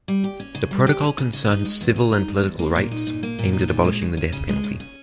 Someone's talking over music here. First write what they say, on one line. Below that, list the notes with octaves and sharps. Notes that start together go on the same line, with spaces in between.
The protocol concerned civil and political rights aimed at abolishing the death penalty.
G3
G4
C#4
C#3
G3
G4
C#4
C#3
C#3
D#4
G#3
E2
C#3
D#4
G#3
E2
A#3
A#2
D#4
A#2
A#3
A#2
D#4
A#2
G#3
C#3
C#4
C#3
G#3
C#3
C#4